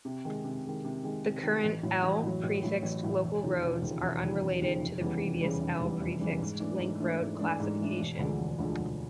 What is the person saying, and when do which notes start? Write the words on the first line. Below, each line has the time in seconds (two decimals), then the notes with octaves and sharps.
The current "L"-prefixed local roads are unrelated to the previous "L"-prefixed link road classification.
0.05 C3
0.25 D#3 G#3
0.44 C3
0.64 D#3 G#3
0.84 C3
1.04 D#3 G#3
1.24 C3
1.43 D#3 G#3
1.63 A1
1.83 A2 F#3
2.03 A1
2.23 A2 F#3
2.43 A1
2.63 A2 F#3
2.83 A1
3.03 A2 F#3
3.22 E1
3.42 D#2 C#3 F3
3.62 E1
3.82 D#2 C#3 F3
4.02 E1
4.21 D#2 C#3 F3
4.42 E1
4.62 D#2 C#3 F3
4.81 F1
5.01 E2 C#3 E3 G3
5.21 F1
5.41 E2 C#3 E3 G3
5.61 F1
5.81 E2 C#3 E3 G3
6.01 F1
6.20 E2 C#3 E3 G3
6.40 G#2
6.60 E3 A3 D4
6.80 G#2
7.00 E3 A3 D4
7.20 G#2
7.39 E3 A3 D4
7.60 G#2
7.79 E3 A3 D4
7.99 E1
8.19 D2 D3 F3 G#3
8.39 E1
8.59 D2 D3 F3 G#3
8.79 E1